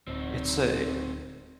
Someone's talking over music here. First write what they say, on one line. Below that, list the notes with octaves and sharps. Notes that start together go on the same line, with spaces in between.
it's a
D1 C4 D#4